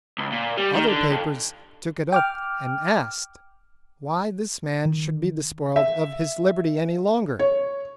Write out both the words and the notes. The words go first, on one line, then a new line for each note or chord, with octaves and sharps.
Other papers took it up and asked why this man should be despoiled of his liberty any longer?
C#2
A#2
G3
D#3
D3
F2
G5 D6 F6
D#3
E5
C#5